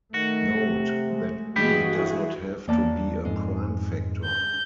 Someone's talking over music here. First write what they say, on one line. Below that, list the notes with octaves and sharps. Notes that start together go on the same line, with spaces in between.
Note that B does not have to be a prime factor.
D#3 A3 F#4
C3
G#3 A3
G2 E3 G#3 F#4 G#4 G5 B5
E4
E2 A#3 C#4 D5 G5 A5
F2 G#2 G#3
G6